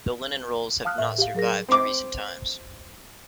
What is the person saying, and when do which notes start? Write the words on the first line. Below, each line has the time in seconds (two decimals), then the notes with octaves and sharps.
The Linen Rolls have not survived to recent times.
0.85 F5 A5 D#6 F6 F#6
0.98 A2 E5
1.18 G4 F5
1.35 F#3 G#4 A#4 A#6
1.69 C4 D6